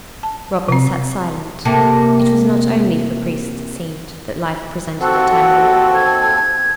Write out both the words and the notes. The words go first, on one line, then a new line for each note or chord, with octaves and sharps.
Robin sat silent: it was not only for priests, it seemed, that life presented a tangle.
A5
C3 C4
C3 A#3 A4
D#2 C4 F#4 A4 F#5
G#6